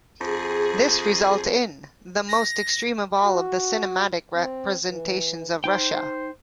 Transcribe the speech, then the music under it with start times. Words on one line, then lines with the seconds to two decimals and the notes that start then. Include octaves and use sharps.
This resulted in "the most extreme of all of the cinematic representations of Russia".
0.21 F2 G#4
2.29 A#6
3.24 F#4
4.35 C4
4.87 E3
5.64 D#4 C5 G5